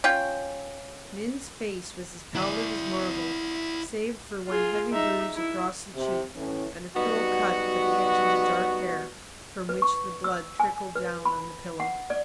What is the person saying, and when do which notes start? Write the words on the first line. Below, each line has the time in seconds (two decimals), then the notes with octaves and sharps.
Min's face was as pallid as marble, save for one heavy bruise across the cheek and a cruel cut at the edge of the dark hair, from which the blood trickled down on the pillow.
0.04 C#4 F4 G5
2.35 E4 D5
4.47 F4 G#4
4.92 D#4 E5
5.35 E4
5.95 C3
6.36 A2 E3 C#4
6.96 F#3 G3 B3 D#4 F#4
9.69 B4
9.82 C#6
10.24 E6
10.60 G#5
10.96 B4
11.25 B5
11.80 F#5
12.10 D5